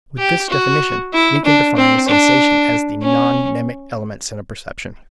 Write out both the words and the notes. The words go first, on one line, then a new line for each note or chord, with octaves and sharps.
With this definition, we can define a sensation as the non-mnemic elements in a perception.
G4
F#4
E4
D4
C4
D4
C#4